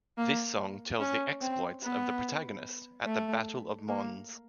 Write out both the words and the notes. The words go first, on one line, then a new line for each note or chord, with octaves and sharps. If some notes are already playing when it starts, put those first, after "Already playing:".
This song tells of the exploits of the protagonist at the Battle of Mons.
A#3
C#4
C4
B3
A3
A#3